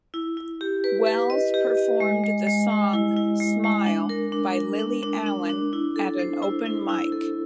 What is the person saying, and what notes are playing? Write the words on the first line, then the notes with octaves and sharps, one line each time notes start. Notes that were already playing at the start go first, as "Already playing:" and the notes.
Wells performed the song "Smile" by Lily Allen at an open mic.
E4
E4
G4
B4
B4
D#5
G4
D#5
G#3
G#3
G#3
G#3
E4
E4
G#3
G#3
D4
A#4
D4
A#4
D4
D4
D4
D4
E4
A4
C5
E4
E4
E4
A4